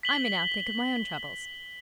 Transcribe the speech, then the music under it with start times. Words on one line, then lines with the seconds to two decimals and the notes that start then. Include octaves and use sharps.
I may now think of my own troubles.
0.03 B6 F#7 G7